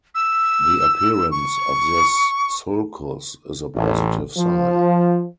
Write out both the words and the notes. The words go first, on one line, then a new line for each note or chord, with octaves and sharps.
The appearance of this sulcus is a positive sign.
E6
C#6
A1
F3